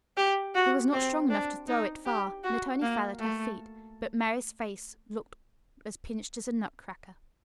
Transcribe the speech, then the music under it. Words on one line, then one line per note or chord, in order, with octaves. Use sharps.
He was not strong enough to throw it far and it only fell at her feet, but Mary's face looked as pinched as a nutcracker.
G4
F#4
C4
D4
D#4
G4
F#4
A#3
A3